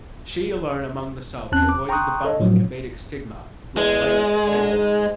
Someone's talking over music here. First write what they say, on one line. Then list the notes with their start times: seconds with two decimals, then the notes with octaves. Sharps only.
She alone among the Subs avoided the bumbling comedic stigma which plagued her teammates.
1.52 E2 C4 C#4 A5 F#6
1.69 D6
1.89 G5 A#5 C6 C#6 D#6 F#6
2.24 A4 C#5 D#5
2.40 A2 F3 F#3
3.77 E2 G#3
4.47 D3
4.72 G#2